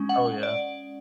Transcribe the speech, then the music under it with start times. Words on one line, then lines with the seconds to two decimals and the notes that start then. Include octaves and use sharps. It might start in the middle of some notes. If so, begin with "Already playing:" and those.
Oh, yeah.
Already playing: G#3 C#4
0.09 F#5
0.26 F#5
0.43 D5